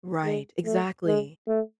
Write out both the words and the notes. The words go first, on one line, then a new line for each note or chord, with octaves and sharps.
Right, exactly,
G#3
A3
G#3
A3